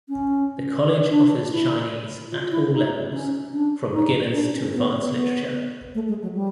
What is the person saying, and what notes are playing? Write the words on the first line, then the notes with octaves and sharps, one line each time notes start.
The College offers Chinese at all levels, from beginners to advanced literature.
C#4
D4
E4
F4
E4
D#4
C#4
D4
D#4
D4
C#4
B3
B3
A3
G#3
F#3
G3